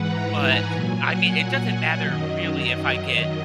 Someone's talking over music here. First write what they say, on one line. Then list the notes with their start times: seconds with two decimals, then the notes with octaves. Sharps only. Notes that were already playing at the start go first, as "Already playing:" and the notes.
but I mean, it doesn't matter really if I get,
Already playing: G#2 E3 B4 F#5
0.08 A#5
0.40 G#5
0.73 A#2 F#3 G#5
1.05 F#5
2.02 F#2 D#3 F#3 D#5